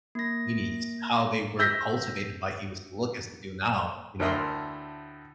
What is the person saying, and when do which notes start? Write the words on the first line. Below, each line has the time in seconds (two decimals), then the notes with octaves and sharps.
and zucchinis, how they were cultivated by humans to look as they do now, you know?
0.15 A#3 A#6
1.59 E6 G6 A#6 B6
4.20 D2 A2 A#4 E5 C6